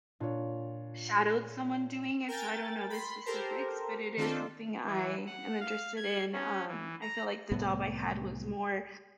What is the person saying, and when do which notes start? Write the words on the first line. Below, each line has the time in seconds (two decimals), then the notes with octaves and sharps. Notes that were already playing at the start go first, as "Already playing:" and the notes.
shadowed someone doing it, so I don't know the specifics, but it is something I am interested in. Um, I feel like the job I had was more
0.20 A#2 D4 F4 C#5
2.28 A#4 G5 G#5 A6
2.90 B5 C6
3.26 G4 A4 A#4 C5
4.17 D#3 C4 D4 F4 A4
4.85 E3
5.26 F#5
5.60 F5
5.97 G#6
6.33 C#4
6.67 E3
7.02 A#5
7.52 C2 A2 B3